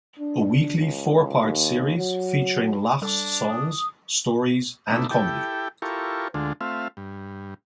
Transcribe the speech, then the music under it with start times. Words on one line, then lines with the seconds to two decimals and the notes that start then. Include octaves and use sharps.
A weekly four-part series featuring Lach's songs, stories and comedy.
0.19 D4
0.78 C#2
1.41 D#2
1.97 F#3
3.02 G3 D4 A4
3.49 D#6
4.91 B2 A3 D4 D#4 E5
5.11 E4 G4 A4 G5
5.82 E4 F4 G4 A4 A#4 C#6
6.34 D2 D3 G#3 F4 A4
6.61 A3 C4 F4 E5 F5
6.97 G2